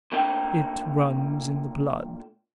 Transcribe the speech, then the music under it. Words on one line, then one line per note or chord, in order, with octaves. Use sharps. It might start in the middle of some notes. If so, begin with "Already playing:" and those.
It runs in the blood.
A#2 A3 D4 A#4 G5